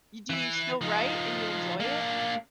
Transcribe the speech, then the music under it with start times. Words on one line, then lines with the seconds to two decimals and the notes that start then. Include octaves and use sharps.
you do you still write and you enjoy it?
0.30 E3 E4
0.81 F3 D#4
1.80 A#3 D4